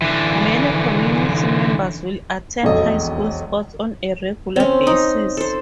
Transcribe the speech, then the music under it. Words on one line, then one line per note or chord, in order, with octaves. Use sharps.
Many community members will attend high school sports on a regular basis.
D3 E3
E1 B1 F2 A4 D#5
C4 C#4
D#4
A4 C5